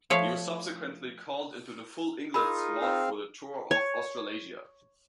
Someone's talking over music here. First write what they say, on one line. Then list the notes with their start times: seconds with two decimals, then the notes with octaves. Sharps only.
He was subsequently called into the full England squad for the tour of Australasia.
0.10 F3 A3 C#5 E5 F5
2.34 D#4 F4 G#4 A#4 B5
2.81 C4 F5
3.71 C#5